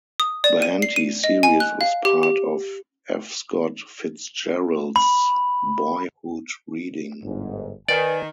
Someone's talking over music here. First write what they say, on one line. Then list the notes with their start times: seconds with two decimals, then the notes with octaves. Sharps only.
The Henty series was part of F. Scott Fitzgerald's boyhood reading.
0.20 D#6
0.44 D5
0.62 D#7
0.82 C7
0.96 D#7
1.24 D#5
1.43 G#5
1.60 F#6
1.81 F5
2.05 G4
2.23 G4
4.96 B5
7.23 G1 G#2
7.88 D#3 B4 D5 G#5